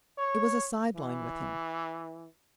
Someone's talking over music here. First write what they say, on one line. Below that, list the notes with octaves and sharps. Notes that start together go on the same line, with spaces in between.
It was a sideline with Him.
C#5
E3